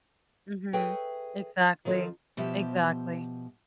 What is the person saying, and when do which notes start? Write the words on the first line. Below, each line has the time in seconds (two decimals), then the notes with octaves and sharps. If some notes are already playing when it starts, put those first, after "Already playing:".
Mhm. Exactly, exactly.
0.73 G#4 A4 B4 C#5 E5 G5
1.85 D#3 F3 C4 A4
2.37 B2 F3 G4 E5